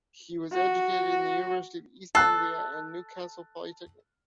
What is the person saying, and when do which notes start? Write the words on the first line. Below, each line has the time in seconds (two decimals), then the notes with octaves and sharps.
He was educated at the University of East Anglia and Newcastle Polytechnic.
0.53 F#4
2.15 A4 A5 F#6 C7